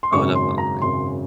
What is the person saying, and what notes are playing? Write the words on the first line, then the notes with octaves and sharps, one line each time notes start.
Oh, definitely.
C6
G#1 F#2 C#3 C#6
C6
A#5
G#1 F#2 C#3 C6